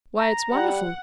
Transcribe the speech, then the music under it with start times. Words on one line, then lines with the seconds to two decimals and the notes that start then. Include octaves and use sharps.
Why, it's wonderful!
0.18 A#5
0.52 G3 F#5